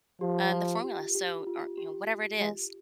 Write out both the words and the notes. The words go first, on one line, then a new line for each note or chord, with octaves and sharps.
uh, the formula. So or, you know, whatever it is,
F3 G4
F4
G4
G4
F4
G4
G#3